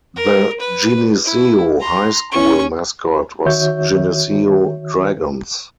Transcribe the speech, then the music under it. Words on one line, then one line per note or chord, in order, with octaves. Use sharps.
The Geneseo High School mascot was Geneseo Dragons.
A#4
B4
E4
A#5 C6
C#4 C#6
D#3 F#4 C#5 E5 G6